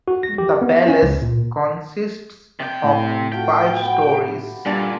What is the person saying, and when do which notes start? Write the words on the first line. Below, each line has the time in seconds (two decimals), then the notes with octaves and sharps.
The palace consists of five stories.
0.08 F#4
0.23 A#6
0.38 G4
0.61 B3
0.88 C#4
1.02 C#2
1.22 A#2
2.60 C3 D5 D#5 G5
2.84 A2
3.32 A3 F4 F#4 G5
3.80 B3
4.07 G4
4.66 A#2 G3 D4 A5